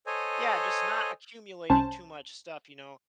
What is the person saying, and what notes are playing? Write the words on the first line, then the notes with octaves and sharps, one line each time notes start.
Yeah, just not accumulating too much stuff, you know,
A4 C5 C#5 D#5 G#5
C2 C#4 C5 A5